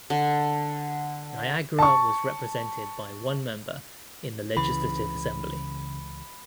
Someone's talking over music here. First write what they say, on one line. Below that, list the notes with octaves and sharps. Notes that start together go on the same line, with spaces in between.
Niagara was represented by one member in the Legislative Assembly.
D3
A5 C#6
C#2 C#3 E3 B5